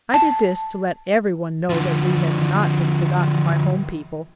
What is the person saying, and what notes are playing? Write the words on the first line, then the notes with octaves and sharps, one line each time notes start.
I did this to let everyone know that we had not been forgotten by home people.
A5
D3 F3